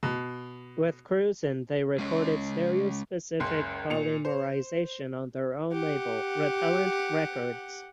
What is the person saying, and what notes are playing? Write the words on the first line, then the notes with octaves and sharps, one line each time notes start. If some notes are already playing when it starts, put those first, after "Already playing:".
With Krusen they recorded "Stereo Specific Polymerization" on their own label, Repellent Records.
B2
G#3 C#4 C#5
F#1 C#2 C6
A#2 C#7 F7
C5
G4 F#5